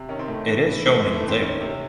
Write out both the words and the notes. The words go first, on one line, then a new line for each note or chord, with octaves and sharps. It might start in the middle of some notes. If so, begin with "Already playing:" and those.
It is shown in the table.
Already playing: C3
D#3 C#4
C4
A2 A3
E3
E3
E3 A3
E3 G#3
A3
E3
C4
D#3 C#4
C3